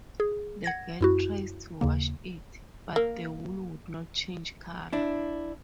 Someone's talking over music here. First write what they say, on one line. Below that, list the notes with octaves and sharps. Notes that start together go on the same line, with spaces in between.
The girl tries to wash it, but the wool would not change color.
G#4
F#5 G#6 A#6
F#2 E4 F#4
D#2 C#3 A#3
A#3
D4 E4